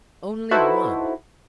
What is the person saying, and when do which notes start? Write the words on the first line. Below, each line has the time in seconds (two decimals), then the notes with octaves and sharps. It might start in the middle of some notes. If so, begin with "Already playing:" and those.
Only one!
0.51 D#4 E4 F#4 A4 B4 C5